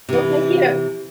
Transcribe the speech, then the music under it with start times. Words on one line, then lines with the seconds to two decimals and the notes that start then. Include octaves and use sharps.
Well, thank you,
0.09 C3 E3